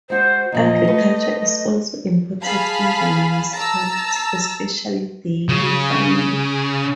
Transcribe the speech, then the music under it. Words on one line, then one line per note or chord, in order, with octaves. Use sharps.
Agriculture is also important in the municipality, especially dairy farming.
G#3 F#4 C5
E2 A#2 F3 D#5
A3 B4
G#4 F5 A5 B5
A5 A#5 E6
C#3